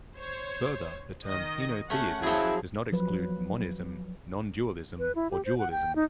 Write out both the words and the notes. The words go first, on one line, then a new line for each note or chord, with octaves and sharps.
Further, the term henotheism does not exclude monism, nondualism or dualism.
C5 C#5
D#3 D#5
A3 C#4 F#5
F3 F#3 E4 G#4
F3 F#3 B4
B4
E4
G4
C5
F#5
G5
D#4